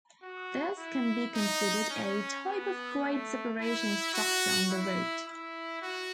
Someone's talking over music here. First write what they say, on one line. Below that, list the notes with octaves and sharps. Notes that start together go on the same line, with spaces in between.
This can be considered a type of grade separation structure on the road.
F#4
E4
D#4
C#4
B3
A3
E4
F#4
E4
E4
F#4